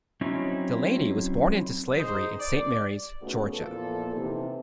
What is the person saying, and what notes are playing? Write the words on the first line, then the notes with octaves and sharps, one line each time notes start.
Delany was born into slavery in Saint Mary's, Georgia.
F#3 C4 C#4 D#4 E4
D#4 G#4 C5
D5
C#3 A3 B3 D#4 F#4
E2 A#2 F3 A#3 A4
C3 E3 D#4